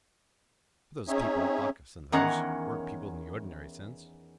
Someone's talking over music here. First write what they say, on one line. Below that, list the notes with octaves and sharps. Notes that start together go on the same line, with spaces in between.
But those people, Bacchus and those, weren't people in the ordinary sense.
C4 C#4 D#4 G#4 C#5 E5
E2 D#3 C#4 A#4 F#5